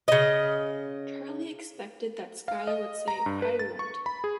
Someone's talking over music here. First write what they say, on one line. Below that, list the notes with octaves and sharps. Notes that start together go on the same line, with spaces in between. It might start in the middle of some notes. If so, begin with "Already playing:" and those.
Charlie expected that Skylar would say, "I won't!"
C#3 D#5
F5
D#5
A#5
G2
B4
A6
C#6
B5
G#4